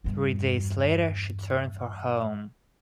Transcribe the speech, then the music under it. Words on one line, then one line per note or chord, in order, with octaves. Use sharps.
Three days later, she turned for home.
E2 G2